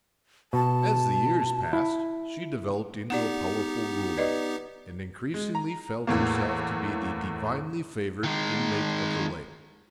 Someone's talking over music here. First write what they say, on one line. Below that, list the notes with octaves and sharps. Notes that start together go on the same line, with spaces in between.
As the years passed she developed into a powerful ruler, and increasingly felt herself to be the divinely-favoured inmate of the lake.
B2 A5
E4
B3 D#4 G4 D5 F#5
B4 D5 D#5
G#3
A#5
E2 A2 A#3
D#3 G#3